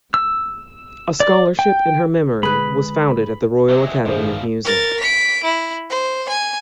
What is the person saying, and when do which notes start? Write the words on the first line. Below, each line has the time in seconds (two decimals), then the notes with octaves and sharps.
A scholarship in her memory was founded at the Royal Academy of Music.
0.14 E6
1.20 D5
1.59 G5
2.43 D3 G#3 G#4 B4 B5
3.69 F#3 G#3 D5 E5 G5
4.05 G2 B2 D#3 F3 G#3 G#4 C5 D5
4.64 A#4 A6
5.00 B6 D7
5.44 E4
5.90 C5
6.29 G#5